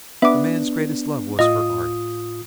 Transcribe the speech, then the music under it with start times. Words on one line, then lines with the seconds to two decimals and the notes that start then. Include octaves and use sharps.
The man's greatest love was for art.
0.22 B3 D4 E5 D6
1.39 A2 F4 D#5 D#6